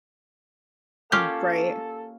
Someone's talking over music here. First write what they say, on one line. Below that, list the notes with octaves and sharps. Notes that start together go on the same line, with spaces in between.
Oh, right.
A#3 C#4 F4 G4 A4 F6 G6